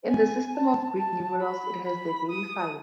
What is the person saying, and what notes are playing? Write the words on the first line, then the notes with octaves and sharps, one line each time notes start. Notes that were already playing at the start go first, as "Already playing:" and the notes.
In the system of Greek numerals it has the value five.
G#5
A5
A5
B5
B5
D#6